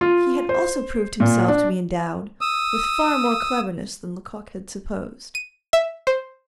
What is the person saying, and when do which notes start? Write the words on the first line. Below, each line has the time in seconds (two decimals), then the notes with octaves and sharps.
He had also proved himself to be endowed with far more cleverness than Lecoq had supposed.
0.01 F4
0.49 C5
1.20 A#2
1.48 D4
2.41 D#6 E6
5.35 D#7
5.73 E5
6.07 C5